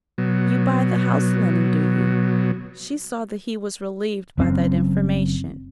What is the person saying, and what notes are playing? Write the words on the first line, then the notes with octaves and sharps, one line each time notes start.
You buy the house-linen, do you?' She saw that he was relieved by that information.
B2 F#3
F#1 F#2 C4